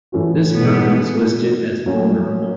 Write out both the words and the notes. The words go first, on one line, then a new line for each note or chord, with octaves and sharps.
This bird is listed as vulnerable.
A2 E3 A3 C#4 F#4
B2 B3
F#3 A#3 C#4